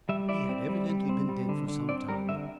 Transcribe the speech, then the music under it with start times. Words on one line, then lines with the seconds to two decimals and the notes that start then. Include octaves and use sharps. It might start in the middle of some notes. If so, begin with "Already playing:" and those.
He had evidently been dead for some time.
0.09 G3 E5
0.29 E4 D5
0.49 C4
0.69 G3
0.89 G3
1.09 C4
1.29 G3
1.49 D3
1.68 D3
1.89 C4 D5
2.09 G3 A#4
2.29 D3 E5